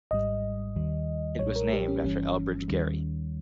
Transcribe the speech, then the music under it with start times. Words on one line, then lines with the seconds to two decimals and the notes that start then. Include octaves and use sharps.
It was named after Elbridge Gerry.
0.11 G#1 G#2 G3 D#5
0.76 D#2 D#3 G3
1.39 B1 A#2 G3 C#5
1.56 A#4
1.72 G4
1.88 C#4
2.04 G1 G2 E3 G3 C#4
2.68 D#2 D#3 G3